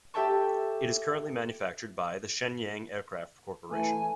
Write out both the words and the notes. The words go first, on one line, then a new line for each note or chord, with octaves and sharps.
It is currently manufactured by the Shenyang Aircraft Corporation.
G4 A4 E5 G5 A5 C#6
E3 A3 G#5